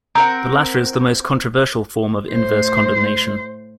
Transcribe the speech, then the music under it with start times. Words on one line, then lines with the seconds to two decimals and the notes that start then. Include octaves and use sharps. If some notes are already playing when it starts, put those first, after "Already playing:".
The latter is the most controversial form of inverse condemnation.
0.15 C4 A#4 F#5 A#5
2.28 A2 C5